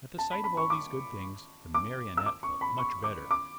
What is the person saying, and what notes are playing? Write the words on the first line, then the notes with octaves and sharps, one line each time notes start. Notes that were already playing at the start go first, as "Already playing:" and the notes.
At the sight of all these good things, the Marionette felt much better.
A5
B5
B5
C#6
D6
D6
E6
D6
C#6
B5
C#6
D6
D6